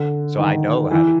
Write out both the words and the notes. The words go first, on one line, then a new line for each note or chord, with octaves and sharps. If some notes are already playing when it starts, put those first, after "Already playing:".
So, I know how to
Already playing: D3
D#3
E3